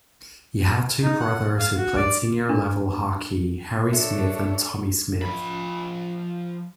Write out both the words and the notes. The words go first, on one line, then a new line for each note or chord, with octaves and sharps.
He had two brothers who played senior-level hockey Harry Smith and Tommy Smith.
D#4
F#5
F5
F#4
D5
D4
A3 D4 A4 C#5
F3 B5